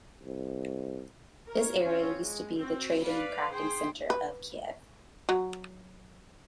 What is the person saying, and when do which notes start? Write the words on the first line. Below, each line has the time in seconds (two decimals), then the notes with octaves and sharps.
This area used to be the trading and crafting center of Kiev.
0.23 C2
1.50 A#4 C#5
1.84 C4 C#4 F4 C#5
2.21 G#3
2.60 C4 F#4
3.04 B4 D5 F5 B5
3.52 G#4 C5 G5 C6
4.10 B4
5.29 F#3